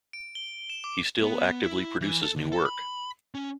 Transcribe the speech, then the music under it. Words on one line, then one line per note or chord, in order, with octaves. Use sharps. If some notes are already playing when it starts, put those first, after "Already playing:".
He still actively produces new work.
D7
G7
E7
D6
B3
E4
E3
A4
D3
A4
B5
C#4